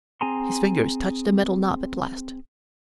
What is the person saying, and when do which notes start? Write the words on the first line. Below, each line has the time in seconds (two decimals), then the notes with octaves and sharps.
His fingers touched the metal knob at last.
0.21 C4 G#4 G#5 A#5 C6